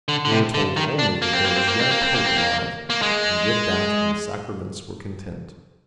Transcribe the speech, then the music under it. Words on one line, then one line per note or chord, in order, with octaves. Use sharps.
They were told only that there was yet a Pope alive, and with that and the sacraments were content.
D3
D3
C3
D3
D#3
D4
A#3
C4
A#3
C4
A#3
C4
A#3
C4
A#3
C4
A#3
A#3
G#3